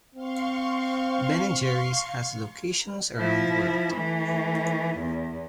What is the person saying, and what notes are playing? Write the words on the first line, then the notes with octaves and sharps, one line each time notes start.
Ben and Jerry's has locations around the world.
C4 F5 C6 C#6
F3 E4
E3 A3
E2